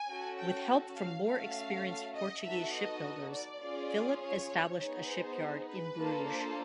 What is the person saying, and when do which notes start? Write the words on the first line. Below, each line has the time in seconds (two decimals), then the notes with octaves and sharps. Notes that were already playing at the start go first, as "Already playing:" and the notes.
With help from more experienced Portuguese shipbuilders, Philip established a shipyard in Bruges.
Already playing: G#5
0.09 C#4 F#4 A4
0.38 G5
0.97 F5
1.26 A3 C#4 F#4 A4 F5
2.15 D#5
2.43 B3 D#4 F#4 A4 E5
2.73 D#5
3.32 D5
3.62 C#4 F4 G#4
4.21 C#5
4.79 B3 D#4 G#4 C#5
5.09 C5
5.68 B4
5.97 A#3 D4 F4 A4
6.27 C5